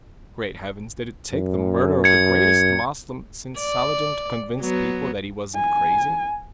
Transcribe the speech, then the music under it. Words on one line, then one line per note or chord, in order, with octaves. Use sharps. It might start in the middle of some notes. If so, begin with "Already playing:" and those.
Great heavens, did it take the murder of the greatest Moslem since Saladin to convince people that he wasn't crazy?
F#2
G#6 C#7
D5
F#3 B3
G#5